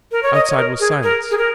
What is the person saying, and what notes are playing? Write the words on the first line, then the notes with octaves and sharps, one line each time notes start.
Outside was silence.
A#4
C#5
D#5
C#5
A#4
G#4
A#4
G#4
A#4